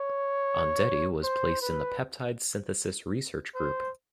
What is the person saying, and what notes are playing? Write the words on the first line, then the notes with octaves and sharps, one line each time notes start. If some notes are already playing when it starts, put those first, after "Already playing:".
Ondetti was placed in the peptide synthesis research group.
Already playing: C#5
C5
B4
C5